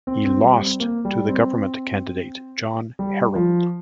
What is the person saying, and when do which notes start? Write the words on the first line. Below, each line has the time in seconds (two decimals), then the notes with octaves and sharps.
He lost to the Government candidate, John Harold.
0.07 C4
0.25 C4
0.44 G3
0.62 C4
0.80 A#3
1.05 G3
1.29 C4
2.99 G3
3.35 F3